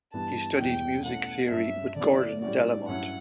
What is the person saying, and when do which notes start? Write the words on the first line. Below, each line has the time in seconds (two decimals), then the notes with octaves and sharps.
He studied music theory with Gordon Delamont.
0.14 G2 E3 G3 B3 A5
0.60 E2 B2 G3 G5
1.05 B2 A3 C#4 E4 F#5
1.51 G2 F#3 C#4 E5
1.96 D3 F#3 B3 E4 D5
2.42 A2 G3 C#4 F#4 D5
2.88 G2 F#3 C#4 E4 F#5